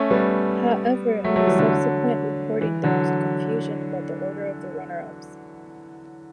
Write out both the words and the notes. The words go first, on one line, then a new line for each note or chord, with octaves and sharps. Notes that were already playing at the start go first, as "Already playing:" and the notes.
However, in the subsequent reporting there was confusion about the order of the runners-up.
Already playing: A3 C#4
G3 B3
F#3 A3
F#3 A3
E3 G3
D3 F#3
E3
D3 F#3